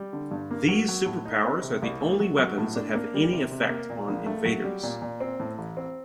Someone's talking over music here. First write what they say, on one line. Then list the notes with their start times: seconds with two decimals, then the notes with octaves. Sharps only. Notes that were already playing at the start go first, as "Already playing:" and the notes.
These superpowers are the only weapons that have any effect on Invaders.
Already playing: G3
0.13 D3
0.31 G2
0.51 A#3
0.68 F#3
0.88 F#3
1.06 A2
1.25 D#4
1.44 C4
1.63 C3
1.82 C2
2.01 A3
2.20 F#3
2.38 F#3
2.58 A2
2.76 D4
2.95 A#3
3.14 G3
3.33 C3
3.51 C3
3.70 A#3
3.90 A#2
4.08 A#1
4.26 A3
4.45 F#3
4.64 G3
4.83 A#2
5.02 A#2
5.20 C4
5.40 A2
5.58 A1
5.77 C4